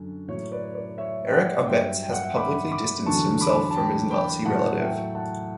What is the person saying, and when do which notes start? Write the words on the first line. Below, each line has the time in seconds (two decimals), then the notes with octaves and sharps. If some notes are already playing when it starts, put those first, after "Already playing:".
Eric Abetz has publicly distanced himself from his Nazi relative.
Already playing: F#2 D3 F#3
0.28 A2 F#3 C#5
0.52 B4 D5
0.75 B4 D5
0.98 C#5 E5
1.27 G5
1.33 D5 F#5
1.67 G2 F#3 E5 G5
2.03 G5
2.13 F#5
2.23 E5 G5
2.37 B5 D6
2.71 B5 D6
3.06 E2 D3 F#3 A5 C#6
3.41 B5 D6
3.71 A5
3.76 G5 B5
4.11 G5 B5
4.45 A2 F#3 F#5 A5
4.80 E5 G5
5.15 F#5 A5